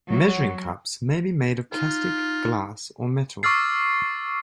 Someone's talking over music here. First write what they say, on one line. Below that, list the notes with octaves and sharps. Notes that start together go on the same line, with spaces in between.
Measuring cups may be made of plastic, glass, or metal.
F#3
D#4 F4
C#6 D6 E6 F6 A6 C7